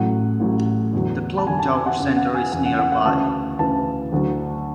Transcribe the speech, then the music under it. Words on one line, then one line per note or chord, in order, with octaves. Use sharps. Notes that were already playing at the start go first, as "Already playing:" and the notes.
The Clocktower Centre is nearby.
Already playing: A1 A2 F#3 F#5
A1 A2 F#3
E2 D3 F#3
A5
E2 D3 F#3 G#5
A5
G#5
F#5
E2 C#3 E3
F#5
F#5
G#5
E2 C#3 E3 G#5
F#5
F#5
F#5
D2 C#3 E3 A5
D2 C#3 E3 A5
D2 D3 F#3